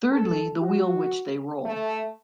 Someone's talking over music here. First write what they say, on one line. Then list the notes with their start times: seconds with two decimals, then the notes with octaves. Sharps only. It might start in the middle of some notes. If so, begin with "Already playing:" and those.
Thirdly, the wheel which they roll.
0.12 A4
0.61 F#4
1.65 A3